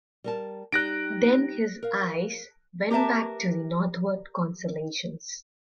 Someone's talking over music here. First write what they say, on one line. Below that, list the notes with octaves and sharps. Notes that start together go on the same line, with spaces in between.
Then his eyes went back to the northward constellations.
G3 A#4 A5
G3 D#4 G4 F#6 A#6 D7
A#4 F5
G4 A#4 B4 E5 A5